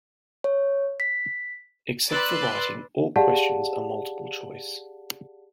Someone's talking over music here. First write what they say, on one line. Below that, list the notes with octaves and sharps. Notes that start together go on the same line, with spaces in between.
Except for writing, all questions are multiple-choice.
C#5
B6
B4 D5 C6 E6 F#6
G4 G#4 D5 F5 F#5 A5